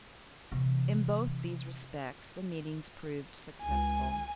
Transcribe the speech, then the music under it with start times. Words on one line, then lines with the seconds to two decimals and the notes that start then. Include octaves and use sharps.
In both these respects the meetings proved successful.
0.52 C3 E3
3.62 C#2 G#5